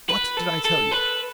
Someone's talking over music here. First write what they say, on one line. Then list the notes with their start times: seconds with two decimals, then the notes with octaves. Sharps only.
"What did I tell you?"
0.10 B4
0.38 A4
0.65 A4
0.92 B4